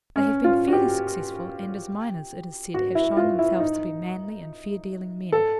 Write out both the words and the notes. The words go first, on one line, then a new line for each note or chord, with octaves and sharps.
They have been fairly successful, and as miners, it is said, have shown themselves to be manly and fair-dealing men.
C#4
F4
F#4
G4
F#4
E4
F4
E4
D#4
A4